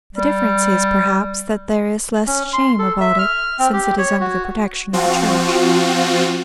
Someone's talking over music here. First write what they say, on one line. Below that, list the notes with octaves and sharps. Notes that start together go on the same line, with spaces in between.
The difference is, perhaps, that there is less shame about it, since it is under the protection of the Church.
G3
C#4
C6
A4
E5
F6
C4
G4
C#5
F#4
F3 C4 F4 F#4